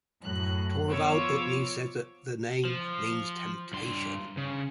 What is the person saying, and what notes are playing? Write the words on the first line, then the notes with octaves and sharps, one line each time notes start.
Torvald Utne says that the name means temptation.
F#2 A2 F#6
F3 B3 F4 C#5 D6 E6
F3
G2 C6
C#3